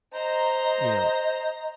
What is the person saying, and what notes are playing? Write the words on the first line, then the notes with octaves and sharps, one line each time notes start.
you know,
C5 D#5 A#5